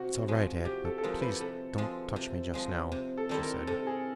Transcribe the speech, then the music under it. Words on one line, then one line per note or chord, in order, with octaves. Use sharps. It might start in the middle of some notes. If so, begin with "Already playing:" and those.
"It's all right, Ed, but please don't touch me just now," she said.
Already playing: C3 F#4
F3 G#3
C3 G4
A4
A4
F3 G#3 A#4
B4
C3 A4
F3 G#3
C3
F3 G#3
C3
A4
D#3 G3 C4 E4 A4
A#4
C3 A4
G#4